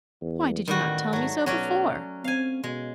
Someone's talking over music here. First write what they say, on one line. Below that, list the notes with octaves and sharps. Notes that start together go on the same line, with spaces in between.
Why did you not tell me so before?
E2
A1 D#3 G3 F#4
G#2 F#3 A3
B1 F#3 C#4 D5
C4 F5 G#5
B2 G#3